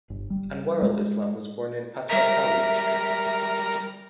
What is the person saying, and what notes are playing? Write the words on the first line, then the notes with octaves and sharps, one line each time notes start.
Anwarul Islam was born in Patuakhali district.
G1
G3
G#3
G3 A#4 E5 A#5